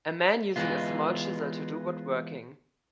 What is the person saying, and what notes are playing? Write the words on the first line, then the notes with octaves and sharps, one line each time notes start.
A man using a small chisel to do woodworking.
E3 G#3 B3 F4